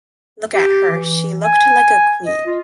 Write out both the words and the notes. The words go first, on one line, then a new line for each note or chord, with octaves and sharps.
Look at her. She looked like a queen.
G4
E3
G#5
D#5
F4